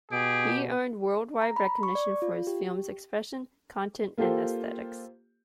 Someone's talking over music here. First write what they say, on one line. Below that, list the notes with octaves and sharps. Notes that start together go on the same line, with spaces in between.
He earned worldwide recognition for his film's expression, content, and aesthetics.
B2 G4 G#4 D7
A#5
B5
C#6
D5
F4
G4
A#3 F4 G4 A4 C5